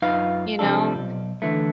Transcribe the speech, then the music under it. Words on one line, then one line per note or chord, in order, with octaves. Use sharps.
you know?
F#2 D#4 F4 B4 F5
C3 F3 G3 D4 A4
B1 G2
D3 E3 A3